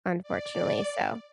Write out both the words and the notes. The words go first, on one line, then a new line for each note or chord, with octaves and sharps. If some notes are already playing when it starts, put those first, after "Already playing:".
unfortunately, so
D5